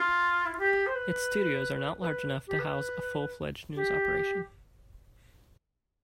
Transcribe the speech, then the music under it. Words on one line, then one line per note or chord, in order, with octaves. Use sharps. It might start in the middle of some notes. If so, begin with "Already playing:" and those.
Its studios are not large enough to house a full-fledged news operation.
Already playing: F4
E4
F4
G4
C5
B4
B4
G4
B4
G4